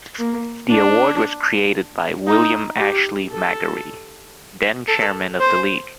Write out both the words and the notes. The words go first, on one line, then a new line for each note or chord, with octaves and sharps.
The award was created by William Ashley Magarey, then chairman of the league.
A#3
D4
D#4
G4
A4
A4
C5